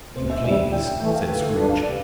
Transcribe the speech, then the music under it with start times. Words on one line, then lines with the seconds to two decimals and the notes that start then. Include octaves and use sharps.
"If you please," said Scrooge.
0.16 D2 C5
0.30 E5
0.44 C3 G3 E5
0.72 A2 G5
0.86 G5
1.00 E3 A3 G5
1.14 F5
1.27 D3 B4
1.42 A4
1.55 G3 D4 B4
1.69 F5
1.83 C3 D5